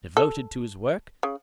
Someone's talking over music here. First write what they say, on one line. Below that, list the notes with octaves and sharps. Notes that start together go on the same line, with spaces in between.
Devoted to his work.
A4
C#3